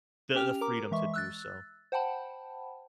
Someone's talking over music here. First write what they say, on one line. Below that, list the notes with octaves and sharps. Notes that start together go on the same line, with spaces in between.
the the freedom to do so.
C#4 G4 G5 F6 F7
A#4 A#5 D6
E3 G#3 E5 C#6
E6 F#6 A6
C5 F#5 G5 A5 B5